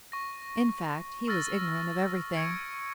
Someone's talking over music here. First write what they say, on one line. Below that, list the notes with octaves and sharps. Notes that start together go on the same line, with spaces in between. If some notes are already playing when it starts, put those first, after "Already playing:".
In fact, he was ignorant of everything.
C#6 A#6
C#6 E6 F6 A6 A#6
C#6 G#6 C#7 D7